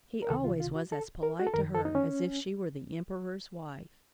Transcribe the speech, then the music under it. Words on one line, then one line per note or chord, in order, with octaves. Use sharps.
He always was as polite to her as if she were the emperor's wife.
A#4
C#2 C3 D#3 A4
F4
F4
F#4
A4
A#4
F#4
A4
F#2 D#3 A#4
A4
D#4
C#4